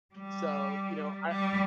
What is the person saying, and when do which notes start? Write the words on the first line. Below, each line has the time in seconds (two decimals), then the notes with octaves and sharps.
So, you know, I
0.14 G3
1.28 G3